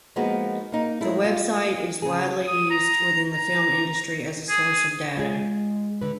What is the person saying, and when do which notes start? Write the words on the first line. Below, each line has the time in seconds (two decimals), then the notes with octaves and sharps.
The website is widely used within the film industry as a source of data.
0.16 F3 G#3 A#3 B3 D#4 F#4
0.72 A#3 D#4
1.01 G#3 A3 E4
1.24 G3 F4
2.02 C#3 G#4
2.47 D#6
2.71 A#5
3.34 A#5
4.49 G#4
5.17 G#3 F4 G#4
6.02 D3 B4